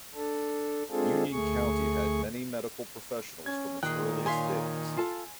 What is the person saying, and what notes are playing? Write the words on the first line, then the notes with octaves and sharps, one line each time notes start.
Union County had many medical professionals from its earliest days.
D4 A4
G#3 C4 D4 F4 G#4 A4
D2 A3 G#4 C#6
C#4 G#6
A#2 D#3 G#4 G5 F#6
C#5 F5 G#5 C6 B6
F4 A4 A5